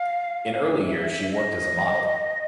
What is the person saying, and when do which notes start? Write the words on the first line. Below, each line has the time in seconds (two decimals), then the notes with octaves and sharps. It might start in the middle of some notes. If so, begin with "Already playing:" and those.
In early years she worked as a model.
Already playing: F5
0.87 E5
1.32 D#5